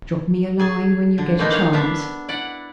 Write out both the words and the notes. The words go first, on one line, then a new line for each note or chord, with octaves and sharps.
"Drop me a line when you get a chance."
G#4 G#5 A5
D3
E3 A#3 C4 D4 D#4
C#5 F5
B3 D4 E5
E4 D5 F#5